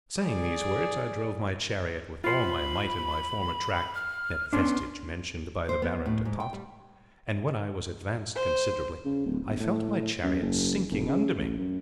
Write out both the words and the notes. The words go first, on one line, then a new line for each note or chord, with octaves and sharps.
Saying these words, I drove my chariot with all my might in my former track, that vestige mentioned by the Baron de Tott, and when I was advanced considerably, I felt my chariot sinking under me.
G#4 D5
F4 C5 B5
F6
B3 C#4 D4 C6
C5
B3
A2
G#2
G5
G3
C5
C#3
D1
G1
A2
F#2
F#1
F1
C#3
A1
F#2